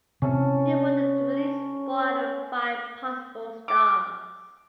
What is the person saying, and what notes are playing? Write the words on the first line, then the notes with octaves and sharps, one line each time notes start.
He awarded the release four out of five possible stars.
C3 C4 C#4 A4 A5
D6